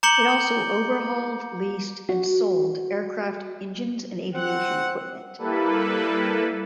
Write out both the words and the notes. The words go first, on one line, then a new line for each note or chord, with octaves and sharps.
It also overhauled, leased and sold aircraft, engines and aviation equipment.
A#5 D6 G6 C#7 F#7 G7
F#4
C4 F#5
G3 A#3 E4 A4 B4